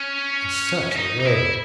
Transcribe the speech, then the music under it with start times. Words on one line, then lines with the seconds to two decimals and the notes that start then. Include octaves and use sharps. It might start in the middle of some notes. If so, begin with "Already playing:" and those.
And such a road!
Already playing: C#4
0.92 C#4
0.97 D#4
1.20 D#4
1.25 E4